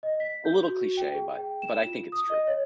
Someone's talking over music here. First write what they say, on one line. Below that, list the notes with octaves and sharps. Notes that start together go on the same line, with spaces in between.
a little cliche, but but I think it's true.
D#5
B6
G6
F#4
G5
G#4
G5
E7
F4
D#6
D#5
C#5